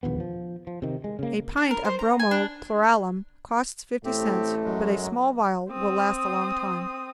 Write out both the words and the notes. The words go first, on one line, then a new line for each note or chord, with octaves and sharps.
A pint of bromo chloralum costs fifty cents, but a small vial will last a long time.
E1 A#1 D#2 B3
F3
F3
C3 D#3
G#3
C#3 A#3
D4
A#4
C5
A#5
G#5
D4
A1 A2 A3 C4 G4
F#2 F#3 G#3
C4 D#6